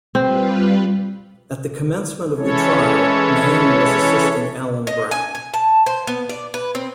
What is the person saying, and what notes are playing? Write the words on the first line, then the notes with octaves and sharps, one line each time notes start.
At the commencement of the trial Mahon was assisting Alan Brown.
G3 C4 F4 B4
E3 G#3 C#4 E4 A4 C#5
D#5
G#5
G#5
A5
C5
B3
D5
B4
C4